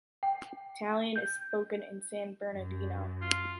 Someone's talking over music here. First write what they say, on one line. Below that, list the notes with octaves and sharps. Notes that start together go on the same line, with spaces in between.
Italian is spoken in San Bernardino.
G5
G6
F#2
F4